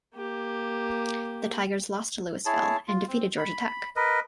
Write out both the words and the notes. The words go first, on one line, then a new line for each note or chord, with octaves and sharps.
The Tigers lost to Louisville and defeated Georgia Tech.
A#3 G4
E4 G#4 C#5 A5
F4
C4
B5
A#4 B4 D#5